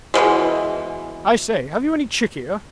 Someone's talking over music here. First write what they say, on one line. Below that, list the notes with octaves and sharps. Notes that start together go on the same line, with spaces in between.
I say, have you any chikhir?
B2 E3 F3 G#3